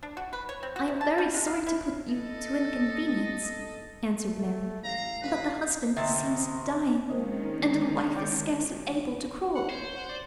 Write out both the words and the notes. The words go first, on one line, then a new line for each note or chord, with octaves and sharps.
"I am very sorry to put you to inconvenience," answered Mary; "but the husband seems dying, and the wife is scarcely able to crawl."
D4
F#4
B4
C#5
C4
F#4
C3
A5
G3
G#3
F5
E4
A4 D#5
A3
A1 F5 A#5
G1 B4
G1 C3 D#5 E5 A6
D#3 G#3 A#3 C4 C#4 D#5
D5 G5
F#5
C5 C#5
F#5
D5